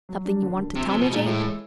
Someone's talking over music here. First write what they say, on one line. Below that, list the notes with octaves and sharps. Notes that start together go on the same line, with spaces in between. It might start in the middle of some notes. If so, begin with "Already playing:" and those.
Something you wanted to tell me, Jane?'
F#3
D4
D3
D3
C3 F3
C3
F3
B2
A#2 G#3
A2 E3
E3